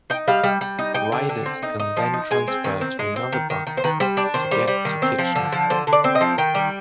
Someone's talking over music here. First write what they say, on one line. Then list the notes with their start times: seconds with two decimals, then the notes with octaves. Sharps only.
Riders can then transfer to another bus to get to Kitchener.
0.10 D#4 G5
0.28 G3 F5
0.44 G3
0.61 G3
0.79 D#4
0.94 D#4 G5
1.12 D3
1.29 D3
1.46 C4
1.63 D#4
1.80 D#4
1.97 F3
2.14 D#4
2.31 G#3 G#5
2.48 C4
2.64 D#3
2.81 C4
2.99 G#3
3.16 C4
3.32 D#3
3.50 D#3
3.67 D#3
3.77 C5
3.84 D#3 B4
4.00 G3 C5
4.17 D4 D5
4.34 D#3 C5
4.51 G3
4.68 G3
4.85 D#3
5.02 C4
5.19 F3
5.35 D3
5.52 F3
5.70 D3 C5
5.87 D3
5.93 D5
6.04 C4
6.15 D#5
6.21 F3
6.38 D#3 G5
6.55 G3